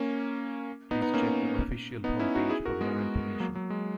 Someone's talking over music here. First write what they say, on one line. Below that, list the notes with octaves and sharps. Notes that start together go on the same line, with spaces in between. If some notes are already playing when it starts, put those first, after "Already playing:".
Please check the official homepage for more information.
Already playing: A#3 C#4
B3 D#4
B3 D#4
A#3 C#4
B3 D#4
C#4 E4
D#4 F#4
E4 G#4
F#4 A#4
G#3 B3
F#3 A#3
F#3
G#3